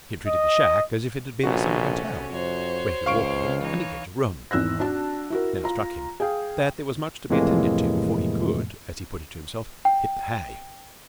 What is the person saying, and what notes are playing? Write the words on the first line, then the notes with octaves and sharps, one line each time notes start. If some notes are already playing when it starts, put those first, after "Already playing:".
He had treated the shack as if it had been a summer hotel, where he could walk in and engage a room. It now struck him that there was much to be attended to before he could, as he put it to himself, hit the hay.
D#5
A#1 C3 A3 C#4 F#4
F2 C5 C#5
C#2 F5 C#6 D7
E3 D#4 C#5
G#1 E2 E6 F#6 A#6
D4 F#4 A5
E4 F#4 A#4
F4 A#5
G#4 F5 G5
F2 A2 C3 E3 G#3 A#3
G5